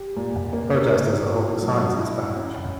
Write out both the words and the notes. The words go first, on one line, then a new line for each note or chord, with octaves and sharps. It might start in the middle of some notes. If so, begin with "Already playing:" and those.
Protesters are holding signs in Spanish.
Already playing: G4
A#2
A#3
A#3
B2
F#3
E4
C#4